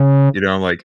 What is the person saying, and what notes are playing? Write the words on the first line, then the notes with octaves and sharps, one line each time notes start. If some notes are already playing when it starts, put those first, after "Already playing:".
you know, I'm like,
Already playing: C#3